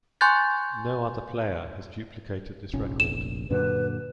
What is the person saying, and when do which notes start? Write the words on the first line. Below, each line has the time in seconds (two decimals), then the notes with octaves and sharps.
No other player has duplicated this record.
0.21 G#5 C6 C#6 F#6 G6 A6
2.73 F1 A#1 C#4
3.00 E7
3.50 F#2 A#2 D3 B4